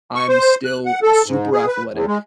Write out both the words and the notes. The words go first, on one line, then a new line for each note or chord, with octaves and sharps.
I'm still super athletic,
C#6
C5
F#6
F#5
A4
G#2
G#4
B4
E2
G#3